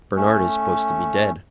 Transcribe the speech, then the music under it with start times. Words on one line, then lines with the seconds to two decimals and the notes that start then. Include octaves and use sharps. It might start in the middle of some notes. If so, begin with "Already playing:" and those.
"Bernard is supposed to be dead."
0.16 A3 C#4